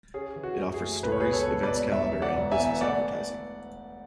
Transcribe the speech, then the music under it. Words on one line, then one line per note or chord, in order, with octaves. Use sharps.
It offers stories, events calendar and business advertising.
C#4 G#4
E3
F#4
F#2
G#4
A3
C#2 B4
C#5
B2 G#4 B4
A4 C#5
C#2
B4 D5
B2
E1 C#5 E5
E1
D5 F#5
E1
E5 G#5
E2
A3 D5 F#5